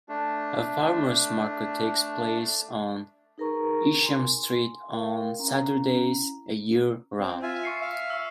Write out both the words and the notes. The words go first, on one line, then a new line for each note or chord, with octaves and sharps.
A farmers' market takes place on Isham Street on Saturdays, year-round.
A3 D4
D#4 G#4 A#4 B4 A#5 C#6
G#5 C6
A#4 F5 G5
C#4 E4 A#5
C4
F4 E5 G#5
C#6 C7 C#7
E5 F5
C#6 E6